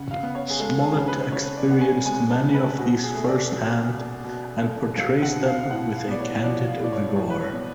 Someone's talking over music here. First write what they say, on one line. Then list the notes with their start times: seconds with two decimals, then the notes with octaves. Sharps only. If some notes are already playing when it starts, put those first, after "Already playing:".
Smollett experienced many of these first-hand and portrays them with a candid vigour.
Already playing: C#3 F#5
0.11 F5
0.23 B3
0.35 C#5
0.50 G#4
0.59 G#3 A4
0.79 A4
0.83 G#4
0.95 C#3 C#5
1.08 B4
1.32 C#3 C#5
1.57 D5
1.69 B3 F#5
1.81 G#5
2.05 G#3 G#5
2.30 A5
2.42 C#3
2.54 B4
2.78 B2 F#4
3.03 G#4
3.14 A3
3.27 D5
3.52 F#3
3.88 B2
4.24 B2
4.61 A3
4.97 F#3 F5
5.22 F#5
5.34 B2
5.46 F5
5.61 F5
5.71 A2 F#5
5.94 F5
6.07 B3 D5
6.20 C#5
6.39 C#5
6.43 F3 D5
6.67 F5
6.80 A2 D5
6.92 C#5
7.16 A2 C#5
7.30 B4
7.40 C#5
7.53 B3